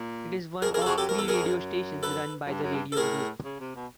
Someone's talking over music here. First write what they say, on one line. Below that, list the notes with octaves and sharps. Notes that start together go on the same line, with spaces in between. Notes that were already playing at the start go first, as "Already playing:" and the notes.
It is one of three radio stations run by the radio group.
Already playing: A#2
F2 G#4 A#4
F2 G#4 A#4
A4
F2 F#4 G#4
F#2 G4 A4
F2 A#4
E2 A4
F2 G#4 A#4
F#2
A4 B4
F#2
G2
F#2
G2
A4
A2 G#4 A#4
C#3
C3
B2